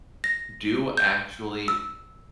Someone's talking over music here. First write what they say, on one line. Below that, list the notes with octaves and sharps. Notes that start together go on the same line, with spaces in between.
do actually
A#6
G6
E6